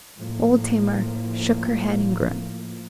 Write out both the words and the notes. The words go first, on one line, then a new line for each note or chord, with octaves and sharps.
Old Tamar shook her head and groaned.
A2 F3 A#3